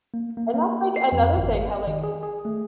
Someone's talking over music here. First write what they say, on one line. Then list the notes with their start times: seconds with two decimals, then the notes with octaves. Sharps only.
And that's like another thing how, like,
0.14 A#3
0.37 A#3
0.54 A#3
0.96 C7
1.12 F2
1.37 G#1
1.71 D#5
1.87 D#3
2.03 G#4
2.23 G#4
2.45 A3